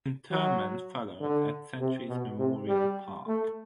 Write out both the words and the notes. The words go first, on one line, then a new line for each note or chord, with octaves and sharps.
Interment followed at Centuries Memorial Park.
F#3
D3
C3
B2
C3
G3
A3